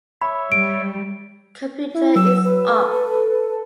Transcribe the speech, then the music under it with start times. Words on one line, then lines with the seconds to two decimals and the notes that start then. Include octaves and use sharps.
Computer is off.
0.22 C#5 E5 B5
0.52 G3 D7
1.94 E4
2.16 F#3 E6
2.45 B4
2.68 A3
2.82 A4